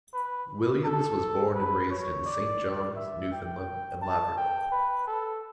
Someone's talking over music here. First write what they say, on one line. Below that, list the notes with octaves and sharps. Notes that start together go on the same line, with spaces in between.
Williams was born and raised in Saint John's, Newfoundland and Labrador.
B4
A4
B4
C#5
D5
E5
G5
A5
G5
B4
A4